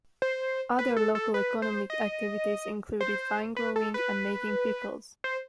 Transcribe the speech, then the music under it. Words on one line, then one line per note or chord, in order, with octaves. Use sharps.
Other local economic activities included wine growing and making pickles.
C5
B4
A4
A4
B4
C5
D#5
C5
B4
A4
B4
C5